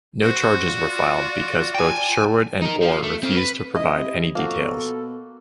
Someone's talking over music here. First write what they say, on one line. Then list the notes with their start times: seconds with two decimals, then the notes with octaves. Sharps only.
No charges were filed because both Sherwood and Ore refused to provide any details.
0.22 F#4 C5
0.63 F4 D5
1.75 G5 G#5
2.62 D#4 A#4
2.82 F3
3.03 A3
3.23 C4 F5
3.36 B4
3.75 C#2 E4 D#5
3.96 C3
4.35 F3 A#3 F#4 A4
4.60 B2